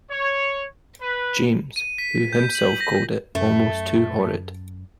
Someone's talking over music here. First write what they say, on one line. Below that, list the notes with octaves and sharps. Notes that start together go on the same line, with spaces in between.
James, who himself called it "almost too horrid".
C#5
B4
D#7
B6
G6
F#7
A#6
F#2 A3